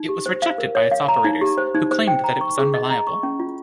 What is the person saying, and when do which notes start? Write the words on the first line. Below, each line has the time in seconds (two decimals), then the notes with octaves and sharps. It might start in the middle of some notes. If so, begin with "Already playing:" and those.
It was rejected by its operators, who claimed that it was unreliable.
Already playing: D#4
0.09 G4
0.26 C5
0.42 F5
0.58 A#4
0.75 C#5
0.92 F5
1.08 A#5
1.24 D#4
1.41 G4
1.58 C5
1.75 D#4
1.91 C5
2.08 G5
2.24 A#5
2.41 C#6
2.57 G#4
2.74 D#5
2.90 A#5
3.07 C#6
3.23 C#4
3.40 F4